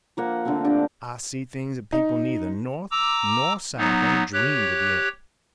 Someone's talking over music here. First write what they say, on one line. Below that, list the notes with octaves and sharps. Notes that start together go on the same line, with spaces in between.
I see things that people neither North nor South ain't dreamed of yet.
F3 A#3 F#5
D3 A3 A#3 C4
D4 G4 D5
D#4
A#5 D6 E6
F#3 B3 D#4
G4 C#5 F#6